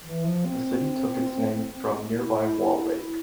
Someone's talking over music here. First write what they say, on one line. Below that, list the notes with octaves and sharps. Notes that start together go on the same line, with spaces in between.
The city took its name from nearby Wall Lake.
E3
F3
C4
E4
E4